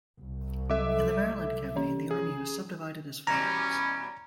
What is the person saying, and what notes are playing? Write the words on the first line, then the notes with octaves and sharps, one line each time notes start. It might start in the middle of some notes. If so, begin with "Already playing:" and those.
In the Maryland Campaign the Army was subdivided as follows.
C2
F#3 A4 E5 D6
E3 C#4
G#4
B2 E3 G3 C#4 A#5